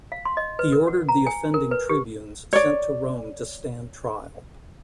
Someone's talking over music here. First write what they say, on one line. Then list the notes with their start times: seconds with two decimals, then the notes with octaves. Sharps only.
He ordered the offending tribunes sent to Rome to stand trial.
0.12 F5
0.25 C6
0.37 D#5
0.59 B4
0.72 A#4
0.88 F#5
1.09 A#5
1.27 G#5
1.54 A#4
1.71 B4
1.89 G4
2.53 C#5 D5